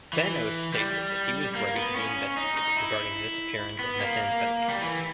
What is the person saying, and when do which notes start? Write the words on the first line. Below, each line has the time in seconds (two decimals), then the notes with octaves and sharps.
Thanos stated that he was ready to be investigated regarding the disappearance of methamphetamines.
0.13 E3
0.74 G3
1.55 A#3
1.76 B3
1.96 C#4
2.37 D#4
2.57 D#4
2.77 E4
3.79 B3
4.00 A#3
4.69 G3
4.81 E3